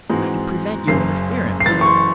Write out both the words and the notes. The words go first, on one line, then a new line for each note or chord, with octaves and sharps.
"To prevent your interference."
G#2 E3 G#3 C4 F#4
F#1 F#2 C#3 C7
C7
F#1 F#2 E3 A6
C#6
C6